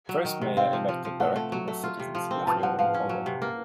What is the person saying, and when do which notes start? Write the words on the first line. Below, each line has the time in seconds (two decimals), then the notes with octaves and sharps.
The first mayor elected directly by citizens was William Caldwell.
0.09 F#3
0.25 D#3
0.42 C3
0.57 C4 F5
0.73 F3
0.88 F3
1.05 F3
1.20 A3 F#5
1.36 A3
1.52 F#3
1.68 A3
1.84 F4
2.00 C3
2.15 F3
2.31 C4
2.47 F3 A5
2.63 F3 F#5
2.79 F3 F5
2.94 C#4
3.09 F#3
3.26 C3
3.42 A#3